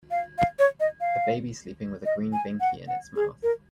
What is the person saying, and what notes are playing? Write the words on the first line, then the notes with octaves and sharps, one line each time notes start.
A baby sleeping with a green Binky in its mouth.
F5
F5
C#5
D#5
F5
D#5
G#5
F#5
F#5
G#4
A#4